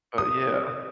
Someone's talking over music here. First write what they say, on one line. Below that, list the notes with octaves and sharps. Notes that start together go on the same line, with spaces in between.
But, yeah.
D#6